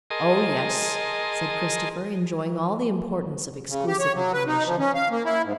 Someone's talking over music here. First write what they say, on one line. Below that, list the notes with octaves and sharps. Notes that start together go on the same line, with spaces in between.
"Oh, yes," said Christopher, enjoying all the importance of exclusive information.
G#4 A#4 D#5 A5 C6
C#3
G4
C#5
F#3
B4
D#4
F3
C#4
F5
A#3
E4
G#2